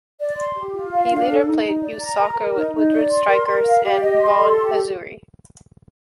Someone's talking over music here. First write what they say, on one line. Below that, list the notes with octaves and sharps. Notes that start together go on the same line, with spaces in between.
He later played youth soccer with Woodbridge Strikers and Vaughan Azzurri.
D5
C6
G4
F4
F5
D4
A4
D#4
D#4
D5
A#5
A#4
A#4
D#4
D#4
D5
C6
A#4
A#4
F5
G4
D#5
C6
A4
G4